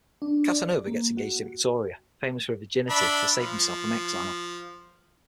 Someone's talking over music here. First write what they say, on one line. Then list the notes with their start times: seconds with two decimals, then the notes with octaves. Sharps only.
Casanova gets engaged to Victoria, famous for her virginity, to save himself from exile.
0.22 D4
0.48 D5
0.87 A#3
1.17 F#4
2.90 D4 E5 B5
3.39 F3